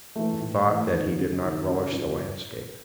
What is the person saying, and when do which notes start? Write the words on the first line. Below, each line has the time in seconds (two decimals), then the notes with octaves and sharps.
He thought that he did not relish the landscape.
0.16 E3 A3
0.40 A2
0.66 E3 A3
0.92 D#2
1.17 C#3 F#3
1.42 D#2
1.67 C#3 F#3
1.92 C#2